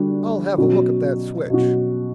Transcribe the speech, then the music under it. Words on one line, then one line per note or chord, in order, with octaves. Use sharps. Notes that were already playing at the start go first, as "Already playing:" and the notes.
I'll have a look at that switch.
Already playing: D3 G3 D4 F#4
B2 F#3 C#4 F#4
B2 F#3 C#4 F#4